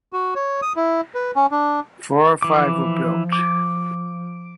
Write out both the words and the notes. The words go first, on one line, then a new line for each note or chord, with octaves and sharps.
Four or five were built.
F#4
C#5
D#6
E4
B4
C#4
D4
E3 F3 D6
D6